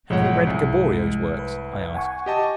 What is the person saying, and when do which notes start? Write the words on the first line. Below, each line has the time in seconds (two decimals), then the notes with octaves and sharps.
"Have you read Gaboriau's works?" I asked.
0.10 B1 G#2 F3 G#3 C#5 F#5
0.47 C2
1.39 B4
1.94 F#5 G#5 C#6
2.26 G4 D#5 A5